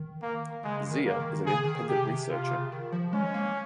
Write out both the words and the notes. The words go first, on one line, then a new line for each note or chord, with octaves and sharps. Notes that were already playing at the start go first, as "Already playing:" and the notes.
Zia is an independent researcher.
Already playing: D#3
A#3
C#3 G#3
D#3
A#3
D#3
C#3 G#4
D#3
C3 G4
C3
C3 F4
C#3
D#3
F3
G#3 C#4
A#3